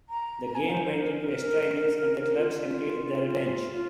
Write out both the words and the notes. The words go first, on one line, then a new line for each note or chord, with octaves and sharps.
The game went into extra innings and the Cubs emptied their bench.
A#5
A#5
G#5
C5
C5
A#4
F4
F4